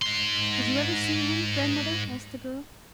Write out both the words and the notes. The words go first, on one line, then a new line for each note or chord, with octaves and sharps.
"Did you ever see him, grandmother?" asked the girl.
G#2 C6